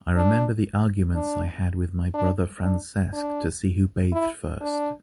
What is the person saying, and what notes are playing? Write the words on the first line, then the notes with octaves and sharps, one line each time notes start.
I remember the arguments I had with my brother Francesc to see who bathed first.
D4
D4
D4
D4
D4
E4
D4